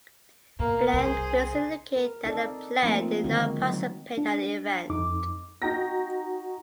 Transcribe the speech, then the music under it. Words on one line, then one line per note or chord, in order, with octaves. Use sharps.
Blank fields indicate that the player did not participate at the event.
B2 A#3
C2 C3 G#4 C5
A#4
C4 D#4 A4 D5
F3 A3 A#3 C4 D#4 F4
D3 D#3 G#3 C4 F#4
F#3 D#4
D4
F2 D#4 D6
D#4 F#4 G5 A#5 G6 A#6